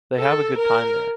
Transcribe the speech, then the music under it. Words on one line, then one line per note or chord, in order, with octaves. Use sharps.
They have a good time there.
A4
A#4